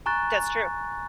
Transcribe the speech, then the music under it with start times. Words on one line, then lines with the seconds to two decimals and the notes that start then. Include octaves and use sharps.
That's true.
0.06 G#5 A#5 C#6 F#6 A6